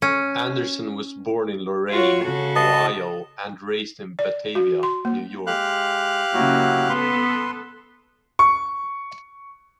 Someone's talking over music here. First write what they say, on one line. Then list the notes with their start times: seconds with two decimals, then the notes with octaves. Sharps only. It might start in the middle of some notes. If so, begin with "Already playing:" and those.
Anderson was born in Lorain, Ohio and raised in Batavia, New York.
0.02 C#4
1.91 F4 F#4 C#5
2.24 C#3 F#4 A4
2.56 D#5 A5
4.19 D5
4.55 F#4
4.83 C6
5.05 A#3
5.47 G#3 G4 F5 F#6
6.33 C#3 F#3 A#3 E4 F#4
6.89 B3 A4 B4 C6
8.39 C#6